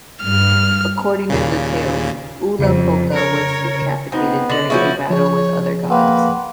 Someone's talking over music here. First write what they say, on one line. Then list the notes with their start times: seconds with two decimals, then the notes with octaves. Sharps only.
According to the tales, Ulupoka was decapitated during a battle with other gods.
0.23 G2 F6
1.30 D#2 A#2 C#3
2.59 F2 C#3
3.14 A#4 C#5
4.12 B3 C4 D#4 D#5
4.50 D3 D#5 A6 A#6 F#7
4.70 F3 B3 C#4 D#4 E4 G#4 C#6 G6
5.10 F3 G#4 C#5
5.90 A#3 B4 F#5 G5 C6